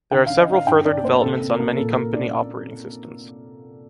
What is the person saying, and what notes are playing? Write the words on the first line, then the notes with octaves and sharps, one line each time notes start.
There are several further developments on many company operating systems.
D3 G5
D3 F5
D#5
D#4 F5
G2 G5
D4 D5
A#3 C5
C3 A4
C3
A#4
A#3
A#2 A4
A#2 A#4
D4 D5